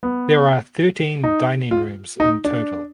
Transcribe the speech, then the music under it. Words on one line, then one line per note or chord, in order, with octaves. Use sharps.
There are thirteen dining rooms in total.
B3
D#4
F4
D#4
D4